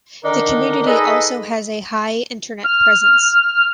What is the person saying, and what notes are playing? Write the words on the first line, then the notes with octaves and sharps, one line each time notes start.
The community also has a high Internet presence.
D3 D#3 D4 D#4 A#4
D#4 G#4 A4 B4 D#5
F6